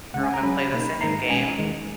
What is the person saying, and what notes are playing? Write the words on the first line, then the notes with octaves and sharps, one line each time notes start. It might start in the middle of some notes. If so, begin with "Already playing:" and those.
in a room and play the same game,
C#2 C#3 G#3 C#4 F#5
G#5
A#5
C#2 C#3 F#3 C#4 B5
B2 A#3 D#4 B5
G#2 D#3 G#3 A#5
B2 G#3 C#4 G#5
D#2 D#3 G#3